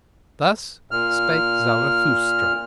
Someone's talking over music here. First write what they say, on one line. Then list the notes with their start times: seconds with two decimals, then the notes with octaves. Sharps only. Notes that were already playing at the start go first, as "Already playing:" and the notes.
Thus spake Zarathustra.
0.91 A#2 F6